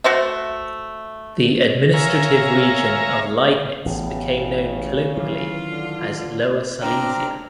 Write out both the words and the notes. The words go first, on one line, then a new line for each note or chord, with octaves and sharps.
The administrative region of Liegnitz became known colloquially as "Lower Silesia".
A3 F#4 C5 E5
A#4 C#5 E5 F5 G#5 A#5
A1 C#3 E3 A3 B3
D#3 E3 F#3 F4
D3
C4 D4 A#5 F6